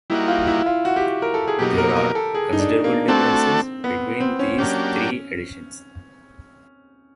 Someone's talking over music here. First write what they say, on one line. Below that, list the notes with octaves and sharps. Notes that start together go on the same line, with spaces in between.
There are considerable differences between these three editions.
G3 A#3 D#4 E4 F#4
F4
E4
F4
F#4
G4
F#4
A#4
A4
G#4
B2 F#3 A#3 D#4 G4
A#4
A#4
A4
G#4
D#4
D4
A#3
A3 C4 D4 F#4 A4
B3
C4
C#4
F#3 A#3 C#4 D4 G4